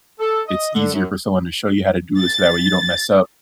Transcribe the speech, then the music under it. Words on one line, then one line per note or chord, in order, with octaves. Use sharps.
It's easier for someone to show you how to do it, so that way you don't mess up,
A4
D#5
D3
F#2
A6